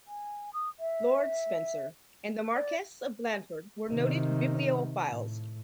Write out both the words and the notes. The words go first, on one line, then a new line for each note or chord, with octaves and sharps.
Lord Spencer and the Marquess of Blandford were noted bibliophiles.
G#5
D#6
E5
D5
C3 D#3
A2